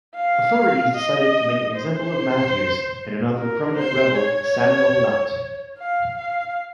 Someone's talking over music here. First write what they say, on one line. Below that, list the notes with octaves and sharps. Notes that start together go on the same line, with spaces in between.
Authorities decided to make an example of Matthews and another prominent rebel, Samuel Lount.
F5
D#5
C5
A#4
C5
C#5
F5
F5